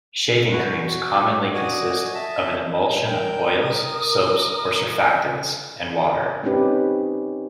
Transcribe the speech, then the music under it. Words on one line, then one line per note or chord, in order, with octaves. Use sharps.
Shaving creams commonly consist of an emulsion of oils, soaps or surfactants, and water.
E4 F#4 B4
F#4
F#4 D5 D#5 G#5 D#6
D#5 E5 A5
A#4 G5
D#6
C4 C#4 D#4 G4 B4